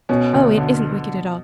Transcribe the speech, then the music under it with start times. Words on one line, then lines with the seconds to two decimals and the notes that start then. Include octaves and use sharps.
Oh, it isn't wicked at all.
0.09 B2 C#4
0.33 D2
0.58 D3